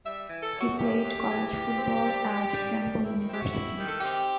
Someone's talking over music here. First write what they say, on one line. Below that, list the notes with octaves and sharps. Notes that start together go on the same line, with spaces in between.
He played college football at Temple University.
G3 E5
E3
A4
F#2
F#4
F#2 G4
F#2
E3
E2
C4
G3
G3
G3
D#3
E4
C4
G4
F#4
E4
D#3 G4
A4
C4 G4